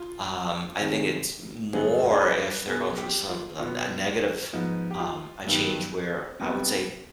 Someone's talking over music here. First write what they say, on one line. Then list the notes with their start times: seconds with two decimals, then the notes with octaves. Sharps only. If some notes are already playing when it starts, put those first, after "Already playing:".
um, I think it's more if they're going through some a a negative, um, a change where I would say,
Already playing: F4
0.80 C3 D#3 G#3
1.73 G2 D3 G#3 B3 G#4
2.10 G#4
2.20 B4
2.66 B2 B3 G#4
2.98 G4
3.29 F4
3.60 B2 B3 F4
4.53 G#2 F3 B3 D#4
4.91 G4
5.00 F4
5.47 G2 D#3 G3 B3
6.40 C3 G3 B3